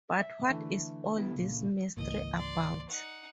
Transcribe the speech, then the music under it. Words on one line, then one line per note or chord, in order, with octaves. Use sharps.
But what is all this mystery about?
E5
D3 E3 A3
B3 E4 G4
C#2 A#2
G#1 C#2 E3 A#3 D#5
D5 C6
D#4 F#5